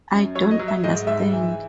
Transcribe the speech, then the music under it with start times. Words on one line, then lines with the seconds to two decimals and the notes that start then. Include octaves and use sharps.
I don't understand.
0.12 F#2
0.35 F#3 C#5
0.51 D#5
0.59 F#3
0.68 E5
0.84 G#2 D#5
1.07 G#2 E5
1.32 E3